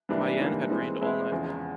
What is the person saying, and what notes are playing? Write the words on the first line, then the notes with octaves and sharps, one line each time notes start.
Mayenne had rained all night long.
G#2 E3 G3 A#3 D4
G#2 E3 G3 A#3 D4
E3 G#3 C4 E4
E3 G#3 C4 E4
E2 C#3 F3